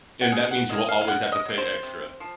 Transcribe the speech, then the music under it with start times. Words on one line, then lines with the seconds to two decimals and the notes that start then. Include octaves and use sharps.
and that means you will always have to pay extra.
0.21 F#5
0.32 C#3 G#5
0.51 F#5
0.69 F#3 A#3 D#5
0.89 F5
1.01 F5
1.07 C#3 F#5
1.32 D#5
1.45 F#3 A#3
1.58 C5
1.83 C3
2.20 F3